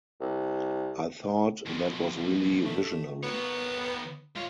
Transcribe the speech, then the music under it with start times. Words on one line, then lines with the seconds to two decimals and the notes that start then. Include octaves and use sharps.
I thought that was really visionary.
0.21 C2
1.66 F2 B2
2.66 A3
3.23 D#3 B3 C#5
4.36 G#2 F4 C#5